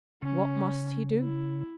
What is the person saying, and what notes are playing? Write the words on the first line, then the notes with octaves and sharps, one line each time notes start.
What must he do?
C#3 C#4
E4